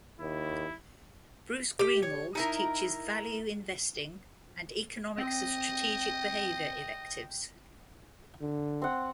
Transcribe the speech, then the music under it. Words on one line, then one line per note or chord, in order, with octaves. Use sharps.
Bruce Greenwald teaches Value Investing and Economics of Strategic Behavior electives.
D#2 E4
G4
C#5
D#4 E4 A#4
C4 D#5 G5
D3
C4 F#5